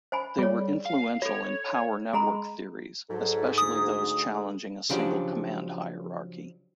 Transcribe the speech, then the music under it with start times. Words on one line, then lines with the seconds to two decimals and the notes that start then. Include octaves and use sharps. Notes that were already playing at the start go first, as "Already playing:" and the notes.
They were influential in power network theories, especially those challenging a single command hierarchy.
0.12 C5 G#5 B5
0.38 G3 G#4 C#5
0.85 F5
1.22 F4 A4 C#5
2.13 G#3 G#4 A#5 B5
3.09 G#2 F#3 A4
3.58 D2 G#4 D#6
4.90 C#3 F3 F#3 D4 G4